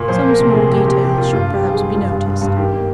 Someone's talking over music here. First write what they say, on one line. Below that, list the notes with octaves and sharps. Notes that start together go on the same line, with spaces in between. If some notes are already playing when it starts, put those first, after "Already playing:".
Some small details should perhaps be noticed.
Already playing: A#2
F3 C5
A#3
A#4
C3
C3 G#4
F3 G4
C3 G4
A#3 G4
A#3 F4
G2 F4
G2
G4
G3
G#4
G4
G3
G2 F4
G2
G2
G2
D#3 G4
A#3